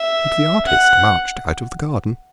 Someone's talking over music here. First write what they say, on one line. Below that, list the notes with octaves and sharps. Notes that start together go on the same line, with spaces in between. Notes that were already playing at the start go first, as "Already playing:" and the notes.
But the artist marched out of the garden.
Already playing: E5
F#5